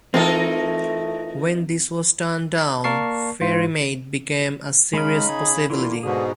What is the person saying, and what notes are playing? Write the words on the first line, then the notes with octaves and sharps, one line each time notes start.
When this was turned down, Ferrymead became a serious possibility.
E3 A3 C4 D#4 F4 A4 A#4
A#3 A#4 D5 A5 C#6 C7
G#2 F4 C5
C#3 G#3 D#4 B5 F6
G#4
D3 E3 A#3 E4 F4
G#2 B2 D3 G#4